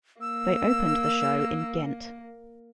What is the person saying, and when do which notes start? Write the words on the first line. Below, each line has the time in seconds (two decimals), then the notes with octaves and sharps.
They opened the show in Ghent.
0.21 A#3 E6